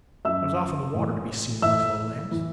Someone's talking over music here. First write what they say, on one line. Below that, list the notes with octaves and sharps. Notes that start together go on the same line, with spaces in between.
There was often water to be seen in these Lowlands.
F#2 F#3 E5 E6
A2 E3
A2 E3 E5 E6
E3